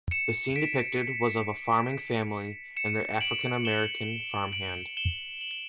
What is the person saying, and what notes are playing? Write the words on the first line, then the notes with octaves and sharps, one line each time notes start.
The scene depicted was of a farming family and their African American farm hand.
C#7 E7
B6 D7
C#7 E7
D7 F#7
E7 G7
D7 F#7
E7 G7
F#7
G7